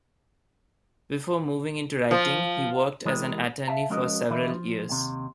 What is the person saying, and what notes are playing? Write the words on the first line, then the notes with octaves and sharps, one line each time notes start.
Before moving into writing, he worked as an attorney for several years.
F3
E3 G#3 G4 A#4
E5 F5 A5
F3 G#3 C#4 F#4 A#4 D#5
D3 E3 A#3 D#4 E4
F3
D#2 C3